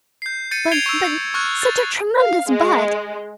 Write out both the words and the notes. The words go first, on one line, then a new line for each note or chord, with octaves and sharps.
But--but--such a tremendous but!
G6 C7
G6 A6 C#7 D#7
G#6 C7 D7 F7 G7
C#6 E6
C#6 F6 F#6 G#6 A6
A6
F5
G#3